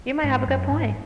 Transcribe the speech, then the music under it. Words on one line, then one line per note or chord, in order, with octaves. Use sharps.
You might have a good point.
G#2
F#2
G#2